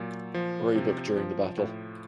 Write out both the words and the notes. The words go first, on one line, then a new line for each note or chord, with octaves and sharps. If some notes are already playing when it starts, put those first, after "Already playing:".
Roebuck during the battle.
Already playing: A#2 F#3
F3
C3
F3
A2